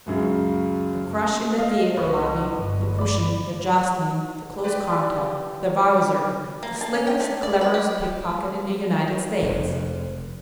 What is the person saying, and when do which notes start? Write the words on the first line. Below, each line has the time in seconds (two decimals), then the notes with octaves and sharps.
The crush in the theatre lobby--the pushing, the jostling, the close contact--the Wowzer, the slickest, cleverest pickpocket in the United States!
0.06 C#2 F#2 C#3
1.58 D#5 F5
1.97 C2 B4 D#5 C#6
2.56 G1
2.98 D5 B5
4.64 G4 B4 D5
6.63 A#3
6.81 A5
6.94 C#4
7.07 G5
7.20 A3
7.43 D5
7.61 B4
7.74 G4
9.42 F1 F2